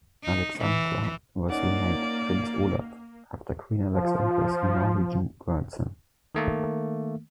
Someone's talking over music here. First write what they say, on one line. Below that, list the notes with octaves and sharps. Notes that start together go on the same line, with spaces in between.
"Alexandra" was renamed "Prins Olav", after Queen Alexandra's Norwegian grandson.
D#4
E3
A#3 C#4 D#4 D5 F#5
F3
D#3 A3 A#3